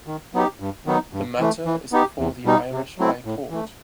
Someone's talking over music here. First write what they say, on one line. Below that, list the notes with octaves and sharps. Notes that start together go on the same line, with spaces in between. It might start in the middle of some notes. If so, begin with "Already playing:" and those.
The matter is before the Irish High Court.
D#3
F#3 B3 D#4 G4
G2
D#3 F#3 B3 D#4
G2
E3 A3
E3
B3 D#4 G4
E2
B2 G3 D#4
C3
F#3 A3 C4 E4
A2
E3 A3